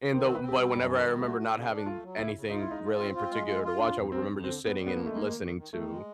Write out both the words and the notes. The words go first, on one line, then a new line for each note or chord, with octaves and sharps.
And though but whenever I remember not having anything really in particular to watch, I would remember just sitting and listening to
D#3 C5
C4
B4
C4
G4
G3 F#4
F#2
D#3
G3
A3 F#4
A3
C#3
D4
A3 F4
F#3
C#3 E4
C#3
D#4 F4
E4
G#3 D#4
F4
C4
F4
G#3
F4
F4
F2 D4
F2
F2 C4
F2
D3 C4
F2 B3
G3
B3
D3 A#3
G#3 A3
A#3
D#3
D#3
D#3
D#3 A3
G#3